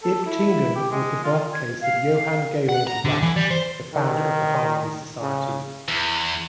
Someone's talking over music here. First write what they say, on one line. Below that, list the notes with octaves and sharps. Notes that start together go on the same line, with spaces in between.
Iptingen was the birthplace of Johann Georg Rapp, the founder of the Harmony Society.
A4
E4
G4
G#3
F4
G#6
F5
F#5
A#5
D3
E3
G3
C5
D#3
C#3
E2